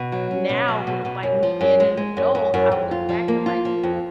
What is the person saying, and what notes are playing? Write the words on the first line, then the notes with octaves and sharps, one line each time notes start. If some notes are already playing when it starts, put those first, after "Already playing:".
now, gr like me being an adult, I look back and like,
Already playing: B2
F#3
C#4
B2
F#3
B2
B2
F#2
F3
F#2
G#3
G#3
F#2
F#2
F#2
F2
F4
F3
A#3
F4
F3
F2